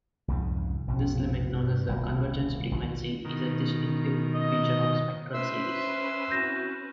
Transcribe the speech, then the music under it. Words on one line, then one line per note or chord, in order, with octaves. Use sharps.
This limit, known as the convergence frequency is a distinctive feature of spectral series.
C2 F2 G#2 C#3
A#1 F2 B2
G2
D#1 C2 A#3
A#1 D#2 D#3
B2 D#3 A#4
D#5
C#4 B4 C5 E5 C6 E6
C4 E4 F#4 G6 A#6 E7